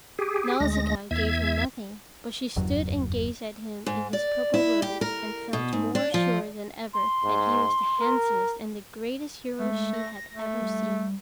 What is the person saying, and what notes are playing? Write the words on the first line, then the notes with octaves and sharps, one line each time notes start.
Nausicaa gave him nothing, but she stood and gazed at him in his purple robes and felt more sure than ever that he was the handsomest and the greatest hero she had ever seen.
G4 G#4
D2 G#3 A#6
E2 E5 G#6
F#1 E2 G2 F#3
G#2
D5
E4
G4
A#4
B2
G#2
D4
F3
C6
G#2
A#4
G#3 A3
A#6
A3
G3